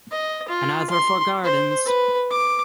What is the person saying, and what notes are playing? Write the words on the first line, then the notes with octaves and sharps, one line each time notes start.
Another for gardens.
D#5
F4
C6
C5
B4
D6